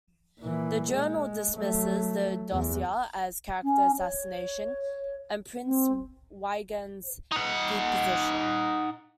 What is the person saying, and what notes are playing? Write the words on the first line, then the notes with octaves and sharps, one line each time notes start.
The "Journal" dismisses the dossier as character assassination and prints Wigand's deposition.
A#2 E3
G#3
F#3 A3
E2
C#4
C#5
C4
D#4 F#5